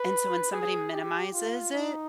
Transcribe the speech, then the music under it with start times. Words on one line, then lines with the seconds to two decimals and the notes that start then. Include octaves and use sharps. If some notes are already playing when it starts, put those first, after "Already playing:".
And so, when somebody minimizes it
Already playing: B4
0.52 G#4
0.92 G4
1.33 F4
1.73 D#4